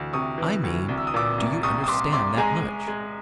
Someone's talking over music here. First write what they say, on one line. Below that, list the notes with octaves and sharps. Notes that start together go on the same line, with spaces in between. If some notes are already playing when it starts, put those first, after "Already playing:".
"I mean, do you understand that much?"
Already playing: D2 E3
C3 C#6 D#6
E3
D2
C2
E6
D#6
A#2 D6 E6
C2
C2 C#6 D#6
D#6
C2 C6 D6
C2 C6 D6
G#3 G#5 A#5
G#3
G#3